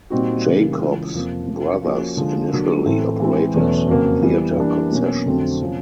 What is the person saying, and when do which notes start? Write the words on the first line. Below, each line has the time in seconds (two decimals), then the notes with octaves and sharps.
Jacobs Brothers initially operated theater concessions.
0.10 A#2 G3 C4 D#4 F#4
0.45 C#3 E3 G3 A#3
0.79 C#3 E3 G#3 C#4 F4
1.14 F2 C3 F3 A#3
1.48 F2 C3 F3
1.83 F3 A#3 C#4 F#4
2.17 D3 F3 G#3
2.51 D3 F#3 A#3
2.86 A2 E3 A3 C4
3.20 E3 G#3 C4
3.54 E2 B2 F#3 A3 C#4
3.88 F2 C#3 F#3 A#3
4.23 E3 G3 B3
4.58 E3 G3 A#3 D4
4.92 B2 F#3 A#3 C#4
5.26 F2 D3 F#3 A3 C4
5.61 C3 F3 A#3 C#4